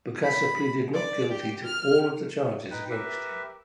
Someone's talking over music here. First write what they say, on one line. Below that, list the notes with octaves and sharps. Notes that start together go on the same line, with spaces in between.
Bokassa pleaded not guilty to all of the charges against him.
B5
D5
G4
F6
D#4 B4 G5
G4 A#4 B4 E5